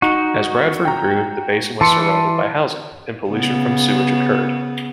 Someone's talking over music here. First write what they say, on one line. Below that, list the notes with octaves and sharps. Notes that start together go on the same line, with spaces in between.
As Bradford grew, the basin was surrounded by housing, and pollution from sewage occurred.
D#4 F#4
G5 A#5
E3 A5 C6 C#7
C#3 B3